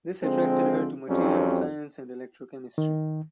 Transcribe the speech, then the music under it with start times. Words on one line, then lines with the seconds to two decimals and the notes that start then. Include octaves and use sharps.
This attracted her to materials science and electrochemistry.
0.22 D3 F3 G#3 C4
1.08 F2 F#3 G3 C4 C#4
2.78 D#3